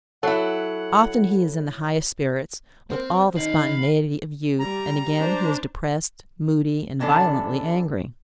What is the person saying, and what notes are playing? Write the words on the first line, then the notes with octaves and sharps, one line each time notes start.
Often he is in the highest spirits, with all the spontaneity of youth, and again he is depressed, moody, and violently angry.
F#3 E4 A4 F#5
C4 A#4 C5 F#5
D#3 D#4 D5 F5 B5
G3 A#5
D4 C5
C3 E3 C#4 D4 A4